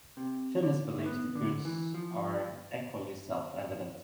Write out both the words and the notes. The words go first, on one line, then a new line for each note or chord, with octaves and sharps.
Finnis believes the goods are equally self-evident.
C3
D3
A3
B3
D3
E3
F3